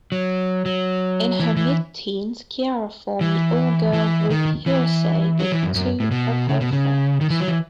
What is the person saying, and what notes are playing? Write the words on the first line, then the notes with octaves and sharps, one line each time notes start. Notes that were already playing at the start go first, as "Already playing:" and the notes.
In her mid-teens, Ciara formed the all-girl group Hearsay with two of her friends.
F#3
F#3
E3
E3
E3
E3
D#3
E3
F#3
E3
F#2
F#2
A2
B2
C#3
B2
C#3
D#3
E3
F#3
E3